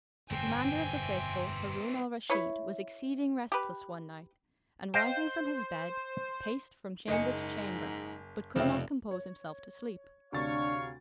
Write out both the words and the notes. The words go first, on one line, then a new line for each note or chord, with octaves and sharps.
The Commander of the Faithful Harun Al-Rashid was exceeding restless one night and rising from his bed, paced from chamber to chamber, but could not compose himself to sleep.
G1 F2 B2 E3 C4 G5 G#5
E4 B4 C#5
G4 B4
C5 D#5 F5 G5
F#1 G#2 D#5 G#5 C#7
F1 F2 C#3 C4 E5
C#5
D2 C3 D4 C#5 F5 C#6 A6